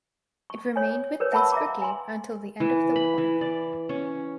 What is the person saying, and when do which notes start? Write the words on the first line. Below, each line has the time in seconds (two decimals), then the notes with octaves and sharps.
It remained with this brigade until the end of the war.
0.50 C#6
0.76 C#5 G#5
1.20 A#4 B4 C#5
1.32 E5 F#5 A5 B5 C#6 E6
1.52 E5 F5 A#5 D6
1.82 G#5 C6
2.60 E3
2.96 B5
3.18 E3
3.41 D5
3.89 C#4